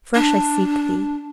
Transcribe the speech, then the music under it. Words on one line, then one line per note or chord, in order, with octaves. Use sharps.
Afresh I seek thee.
D4